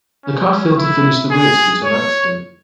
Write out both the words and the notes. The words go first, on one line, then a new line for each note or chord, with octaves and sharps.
The car failed to finish the race due to an accident.
C#4
E4
G#4
C#5